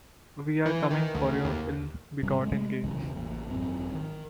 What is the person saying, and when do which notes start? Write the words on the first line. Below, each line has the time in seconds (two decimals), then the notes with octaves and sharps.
We are coming for your ill-begotten gains.
0.66 E3
0.91 D#3
1.15 D2
1.45 D#2
2.23 A2 C3 G3 C#4
2.42 G#3 A3
2.83 B1 E2 C#3
3.15 A1 A#2
3.49 G#1 F#2 C4
3.94 D#3